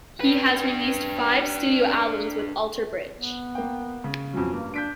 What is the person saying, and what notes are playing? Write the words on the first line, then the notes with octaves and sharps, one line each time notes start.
He has released five studio albums with Alter Bridge.
D4 B4
B3
A#3 G5
C#3
F2 B2 F#3 C#4
G2 A#3
D4 G6 B6 D7